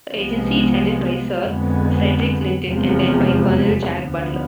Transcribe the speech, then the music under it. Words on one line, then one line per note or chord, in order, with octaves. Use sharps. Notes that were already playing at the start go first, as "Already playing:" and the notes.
The agency is headed by Sir Frederick Clinton and then by Colonel Jack Butler.
C2 C3 F3 G#3 B3
F2 D3 G#3 B3
F1 E2 C3 F3 G#3
D2 D3 F3 B3